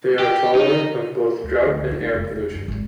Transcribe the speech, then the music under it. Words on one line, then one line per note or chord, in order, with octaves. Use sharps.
They are tolerant of both drought and air pollution.
G4
D#4
D2
D2
D#4
F1
F1
G2
G#1